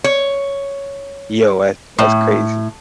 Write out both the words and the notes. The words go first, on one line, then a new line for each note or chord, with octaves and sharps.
yo, that's that's crazy.
C#5
A2